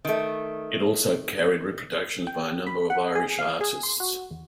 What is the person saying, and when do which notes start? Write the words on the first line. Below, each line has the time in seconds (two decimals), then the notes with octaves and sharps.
It also carried reproductions by a number of Irish artists.
0.05 D#3 A3
2.27 G5
2.67 B5
2.90 F#5
3.15 G#4
3.39 F5
3.61 G#4
3.83 C6
4.00 F#4
4.31 E2